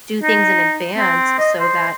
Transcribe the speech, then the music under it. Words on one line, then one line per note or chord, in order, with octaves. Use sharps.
do things in advance so that
D#4
C4
D#5
C5